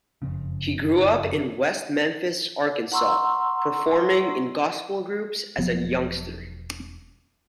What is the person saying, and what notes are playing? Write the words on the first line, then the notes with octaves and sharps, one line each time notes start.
He grew up in West Memphis, Arkansas, performing in gospel groups as a youngster.
F#1 F2 C#3
F#5 A#5 C6 C#6 E6
E1 F3 F#3 B3